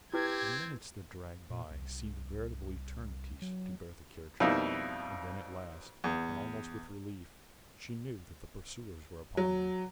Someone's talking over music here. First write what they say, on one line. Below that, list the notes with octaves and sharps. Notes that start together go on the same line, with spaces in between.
The minutes that dragged by seemed veritable eternities to Bertha Kircher and then at last, and almost with relief, she knew that the pursuers were upon them.
C4 E4 G4 B4 G#6
A#2
C2
F#3
F2 B2 G3 A#3 D#4 E4
E2
F#3